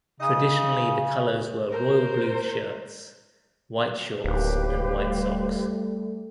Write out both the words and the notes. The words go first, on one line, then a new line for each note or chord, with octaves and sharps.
Traditionally the colours were Royal blue shirts, White shorts and White socks.
C#3 D#4 D#5
A#4 C5
D1 D#2 G4 B4 F5
G3 A3